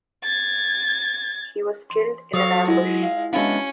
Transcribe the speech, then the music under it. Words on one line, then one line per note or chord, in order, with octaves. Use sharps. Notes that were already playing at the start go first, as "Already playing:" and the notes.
He was killed in an ambush.
G#6 A6
C6
F#3 A4 C5 F5 C#6 D#6
G#3 E4 F4 F#5
F5
G#3 B3 C#4 D4 E4 F#4 F5